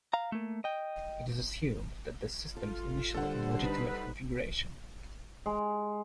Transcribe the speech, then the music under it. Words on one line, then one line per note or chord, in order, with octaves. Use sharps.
It is assumed that the system is initially in a legitimate configuration.
F5 A#5
A3 A#3
D#5 G5
F4 A4
D3 G3 D4 A4 C5 F#5
D#4 B4
G#3